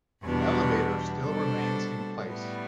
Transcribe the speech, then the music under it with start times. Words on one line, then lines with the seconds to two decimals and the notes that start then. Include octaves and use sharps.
The elevator still remains in place.
0.23 E2 B2 G3 B3 D4
1.24 B2 G3 D4 A4 C5
2.22 A2 G3 B3